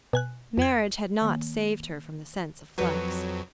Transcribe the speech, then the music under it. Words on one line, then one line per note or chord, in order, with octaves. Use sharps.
Marriage had not saved her from the sense of flux.
B2 G#5 F#6
F2 G#6
D#3 A#3
F2 F#3 B4 C#5